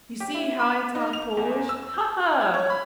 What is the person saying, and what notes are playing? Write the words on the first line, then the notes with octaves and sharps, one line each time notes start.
You see how I talk Polish, ha ha!
G4
E4
B5
D#4
F7
E2
E6
G6
G#6
C#5
B5